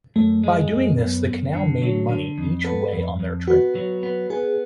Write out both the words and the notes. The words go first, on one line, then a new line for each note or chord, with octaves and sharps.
By doing this, the canal made money each way on their trip.
F#2 A3
G#3
F#2
F#2 B3
F#2
D3
F#3
D3
F2
B3 A4
F2
F2
B3 F#4
F#3
B3
B3 G#4